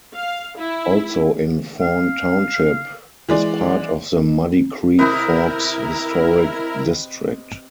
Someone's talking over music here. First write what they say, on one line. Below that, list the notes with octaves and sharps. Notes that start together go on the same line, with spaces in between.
Also in Fawn Township is part of the Muddy Creek Forks Historic District.
F5
E4
F5
E3 G#3 D5
C3 E4 A#4 B4 D#5